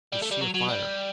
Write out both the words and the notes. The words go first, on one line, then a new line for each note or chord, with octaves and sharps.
We see a fire.
G3
A3
G3
F#3
F#3
G3